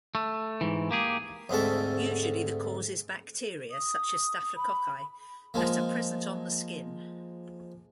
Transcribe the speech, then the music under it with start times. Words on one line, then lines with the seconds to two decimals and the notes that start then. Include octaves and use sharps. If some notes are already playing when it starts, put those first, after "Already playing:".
Usually, the cause is bacteria such as staphylococci that are present on the skin.
0.15 A3
0.61 G#2 E3
0.91 A#3 G4 G#4
1.49 D2 G#2 C3 C#4 A4
3.71 D#6
4.56 B5
5.54 F3 G#3 A#3